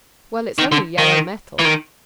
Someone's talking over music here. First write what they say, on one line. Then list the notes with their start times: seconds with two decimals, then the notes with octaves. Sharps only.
Well, it's only yellow metal.
0.58 D#3
0.72 D3
0.98 D#3
1.59 E3
1.65 D#3